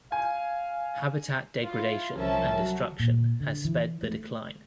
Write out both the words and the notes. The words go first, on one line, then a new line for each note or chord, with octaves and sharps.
Habitat degradation and destruction has sped the decline.
F5 G#5
E4 F4
C2 F3 C#4 A#4 E5 A5
F#3 F#4
A#2
D3
E3
A3